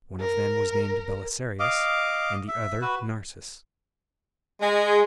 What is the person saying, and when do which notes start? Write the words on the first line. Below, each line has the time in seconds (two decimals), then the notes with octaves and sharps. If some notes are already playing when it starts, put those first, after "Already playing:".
One of them was named Belisarius and the other Narses.
0.20 A#4
1.60 D#5 F5 D6
2.48 E5
2.81 F#4 B4
4.61 G#3